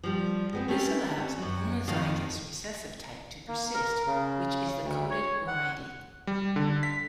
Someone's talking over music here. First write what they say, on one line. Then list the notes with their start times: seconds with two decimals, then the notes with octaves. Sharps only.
This allows a homozygous recessive type to persist, which is the coated variety.
0.04 F3 G3
0.53 G#3 B3 C4
0.68 A3 C#4 G4 A#4
1.18 C4 C#4
1.38 F#2 F#3
1.88 F2 A2 D#3 D#5 F5
3.48 A#3
3.74 A#4
4.06 C#3
4.84 D2
5.10 C#5
5.48 F#5
6.27 G3
6.56 D3
6.83 B6